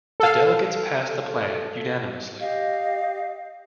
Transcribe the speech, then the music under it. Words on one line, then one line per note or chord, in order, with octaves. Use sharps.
The delegates passed the plan unanimously.
A4 F5
G4 D#5 F5